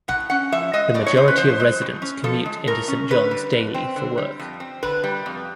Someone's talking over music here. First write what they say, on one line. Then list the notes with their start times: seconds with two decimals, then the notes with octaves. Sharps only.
The majority of residents commute into Saint John's daily for work.
0.08 A2 F#5
0.30 C#4 F#5
0.52 F3 E5
0.73 G#3 D#5
0.94 A2 D5
1.06 C#5
1.16 C#4 C5
1.28 B4
1.38 F3 C5
1.60 G#3
1.81 A2
2.02 C#4
2.24 F3 A4
2.46 G#3
2.67 A2 A#4
2.88 C#4
3.10 D3 B4
3.31 G3
3.53 F2
3.74 C4
3.96 D3
4.18 G3
4.39 F2
4.60 C4
4.83 D3 B4
5.04 G3
5.26 F2